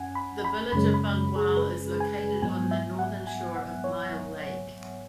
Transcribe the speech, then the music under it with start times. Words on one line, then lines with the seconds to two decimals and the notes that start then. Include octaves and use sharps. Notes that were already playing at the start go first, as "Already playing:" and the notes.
The village of Bungwahl is located on the northern shore of Myall Lake.
Already playing: F#2 C#4 F#5 G#5
0.15 B5
0.45 B5
0.72 F#2 C#3 G#3 C#4 B5
0.94 B5
1.36 G#4
1.57 B4
2.00 G#5
2.42 G#2 F#3 B3 G#5
2.71 E5
2.99 F#5
3.27 G#5
3.56 F#5
3.84 C#5